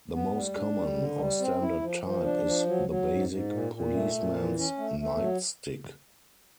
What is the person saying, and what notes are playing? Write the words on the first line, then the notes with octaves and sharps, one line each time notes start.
The most common, or standard type is the basic "policeman's nightstick".
B3
G3
D4
G3
D3
G3
C4
E4
F3
F3
D4
F3
F#3
F#3
G#2
G#2
A#2
A#2
A3
A#2
E3
C#4
A3
A3
F#3